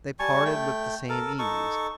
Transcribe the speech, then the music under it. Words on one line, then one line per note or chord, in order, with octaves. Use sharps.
They parted with the same ease.
G3 G#5 A5 C#6
A3 G5
A4 A#4
D#4 A4 C#6